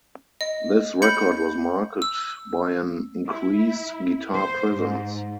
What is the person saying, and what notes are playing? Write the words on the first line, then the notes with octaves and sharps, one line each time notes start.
This record was marked by an increased guitar presence.
D#5
B5 G6 C#7
E6
E4
C5
G#2